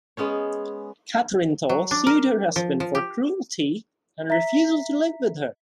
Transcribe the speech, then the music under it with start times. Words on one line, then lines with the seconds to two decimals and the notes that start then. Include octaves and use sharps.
Katherine Thaw sued her husband for cruelty and "refusal to live with her".
0.17 G#3 B3 C#4 C#5
1.69 F#3
1.91 D4
2.07 A#4
2.56 F3
2.80 F3
2.95 G4
4.30 E5 A#5 B6